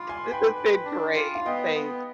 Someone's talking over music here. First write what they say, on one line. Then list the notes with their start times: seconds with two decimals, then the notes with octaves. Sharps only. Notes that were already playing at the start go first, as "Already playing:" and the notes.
This has been great, thanks.
Already playing: F4 B5 D6
0.09 G#5 C6
0.24 B4
0.31 G5 B5
0.55 B4
0.85 D4
1.16 F4
1.35 F5
1.46 B3 D#5 G5
1.76 B3